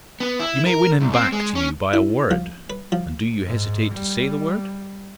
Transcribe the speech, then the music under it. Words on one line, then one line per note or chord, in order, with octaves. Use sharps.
You may win him back to you by a word--and do you hesitate to say the word?
B3
E4
A#4
C2
C4
G#3
C#4
E4
F3
B4
F3
G#2
G3